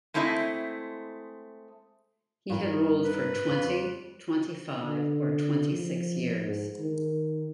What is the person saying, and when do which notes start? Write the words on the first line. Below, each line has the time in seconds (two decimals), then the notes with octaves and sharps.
He had ruled for twenty, twenty-five or twenty-six years.
0.14 G#3 A3 C4 E4 D5 D#5
2.50 G2 A#4
3.04 B4
3.48 F2
4.83 D3
5.72 F3
6.45 G#2
6.80 D#3